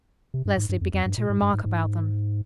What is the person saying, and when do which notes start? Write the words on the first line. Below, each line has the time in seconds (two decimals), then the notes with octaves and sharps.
Leslie began to remark about them.
0.34 C3
0.45 G2
0.57 G#2
0.69 G2
0.81 F2
0.94 F2
1.06 G2
1.18 A#2
1.30 G#2
1.42 G2
1.54 G#2
1.65 G#2